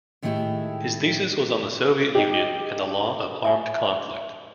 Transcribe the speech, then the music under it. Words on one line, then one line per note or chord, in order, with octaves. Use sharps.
His thesis was on the Soviet Union and the law of armed conflict.
A2 D#3 G#3 A3 E4 G4
D#4 G4
E5 G#5